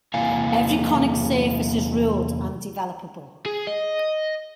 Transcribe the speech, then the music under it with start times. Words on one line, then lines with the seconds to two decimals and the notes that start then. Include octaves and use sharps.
Every conic surface is ruled and developable.
0.14 E2 C3 A#3 E4 F5 G#5
3.46 G#4
3.67 D#5